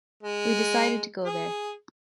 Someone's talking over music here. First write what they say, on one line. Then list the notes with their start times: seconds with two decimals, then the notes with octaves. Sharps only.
We decided to go there.
0.23 G#3
1.24 G#4